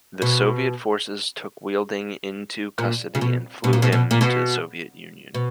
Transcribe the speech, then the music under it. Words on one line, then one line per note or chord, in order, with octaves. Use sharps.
The Soviet forces took Weidling into custody and flew him to the Soviet Union.
B2
A#2
C#3
B2
B2
A#2
B2
B2
A#2
B2
B2